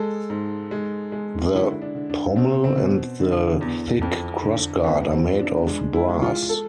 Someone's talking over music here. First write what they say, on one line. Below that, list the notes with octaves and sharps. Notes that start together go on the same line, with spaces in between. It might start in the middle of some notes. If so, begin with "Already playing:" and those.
The pommel and the thick crossguard are made of brass.
Already playing: G#3 A4
G#2
G#3
G#3
D3 E4
D4
D3
D4
B2 C4
C4
B2
D3
E2
F2
D3
F2 B3
C4
F3
D4
G#3 D4
E4
G#3
F4
A4